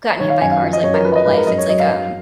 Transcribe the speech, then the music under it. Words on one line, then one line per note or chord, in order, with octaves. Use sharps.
gotten hit by, uh, cars, like, my whole life. It’s like, um
D#3 C#5
F5
F#2 G#5
F5
F3
D#5
F#2 C#5
A#4
F3 B4
D#5
G#2 B4
A#4
F#2 D#5
C#5
F#3 D#5
F5
F#3 F5